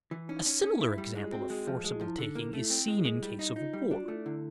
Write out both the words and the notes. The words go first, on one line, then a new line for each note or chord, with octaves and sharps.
A similar example of forcible taking is seen in case of war.
E3 E4
C#4 D#4
C#4
C#4
E4
G3
G#3 E4
F4
C4
F#4
G#3
F3
G#3 F#4
E4
F3
E4
D3 D#4
A#3 E4
D#4
A3 E4
C4
G#3 E4
G#3
G3
D#4
D#4 F4
G3 G4
D4 F#4
F4
A3
E4
D3 E4